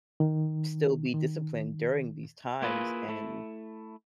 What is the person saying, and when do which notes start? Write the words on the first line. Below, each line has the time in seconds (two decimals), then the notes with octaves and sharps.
still be disciplined during these times, and,
0.20 D#3
1.14 D#3
2.62 A#3 E4 F4 G#4 B4
3.08 A3 E4